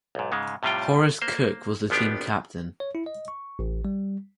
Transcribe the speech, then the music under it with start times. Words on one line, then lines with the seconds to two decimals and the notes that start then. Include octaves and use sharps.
Horace Cook was the team captain.
0.15 B1 G#2
0.32 G#2 C#3 G#3
0.63 A2 C3 G3 F4 G5
1.22 A#3 C5
1.90 G#1 F3 B3 D4 G4
2.80 C#5
2.95 E4
3.06 D#5
3.28 C#6
3.59 A1
3.85 G3